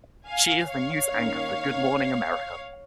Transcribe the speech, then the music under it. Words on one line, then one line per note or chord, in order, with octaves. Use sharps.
She is the News Anchor for "Good Morning America".
F5 G#5
C#5 F5
D#3 A#3 C#4